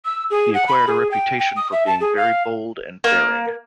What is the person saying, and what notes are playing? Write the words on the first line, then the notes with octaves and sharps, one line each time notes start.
He acquired a reputation for being very bold and daring.
E6
G#4
F#5
B5
G#4
G5
G5
D#6
E5
A5
G#4
F5
A#3